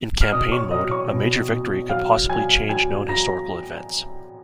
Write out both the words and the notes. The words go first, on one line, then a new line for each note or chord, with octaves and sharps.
In Campaign Mode, a major victory could possibly change known historical events.
F6
B2 D#5 D#6
C#5 C#6
F#3 D#5 D#6
C#5 C#6
B2
B2
F#3 F5 F6
F#3 G#5 G#6
F#3 G#5 G#6
F#3 A#5 A#6